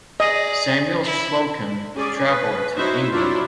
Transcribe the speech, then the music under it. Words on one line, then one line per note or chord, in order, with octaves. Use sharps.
Samuel Slocum traveled to England.
G#4 D5 D#5
E4
C#4 G#4 D5
B4
D#4 E4 F#4 C5 C#5 E5
F#3 D4 E4 F4